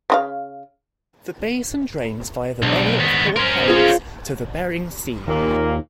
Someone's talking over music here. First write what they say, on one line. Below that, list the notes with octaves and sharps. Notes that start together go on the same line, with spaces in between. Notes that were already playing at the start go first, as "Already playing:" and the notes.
The basin drains via the bay of Port Clarence to the Bering Sea.
C#3 F#4 F5
B1 G#2 D4
D#3 B3
C#4 A#4 C5
F4 G#4
D#2 A#2 A#3